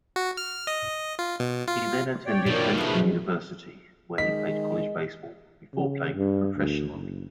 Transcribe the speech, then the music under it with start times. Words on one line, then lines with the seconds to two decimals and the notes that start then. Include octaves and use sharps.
He then attended Clemson University, where he played college baseball, before playing professionally.
0.16 F#4
0.37 F6
0.67 D#5
1.19 F4
1.40 B2
1.68 F4
2.26 C#5 D5 G5
2.46 B2 D#3 F3
2.78 C#3 G#3 A3 B4
4.18 D#3 G#3 D#5 B6
5.74 C#3
6.15 G2
6.56 D2
6.92 F#1